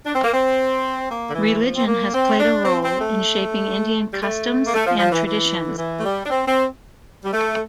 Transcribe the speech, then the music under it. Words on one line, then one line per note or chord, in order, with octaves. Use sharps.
Religion has played a role in shaping Indian customs and traditions.
D4
C4
A#3
C4
A#3
D3
E3
F3
C4
A#3
C4
D4
C4
C4
A3
G3
A3
A#3
A3
F3
F3
E3
E3
D3
E3
A3
G3
D4
C4
C4
G3
A3